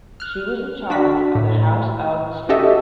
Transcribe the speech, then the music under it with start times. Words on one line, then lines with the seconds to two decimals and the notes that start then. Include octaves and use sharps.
She was in charge of the house of St.
0.20 F6 F#6
0.90 D4 F#4 B6
1.35 A2
2.49 C#4 F#4 G4 A4 D#5 E5